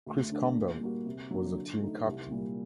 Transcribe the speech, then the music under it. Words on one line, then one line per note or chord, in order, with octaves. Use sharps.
Chris Campbell was the team captain.
D2
D3 A3 D4
A#2
G3 A#3 F#4
C3
F#3 A#3 D4
D3
A3 D#4
C2
A#2 G3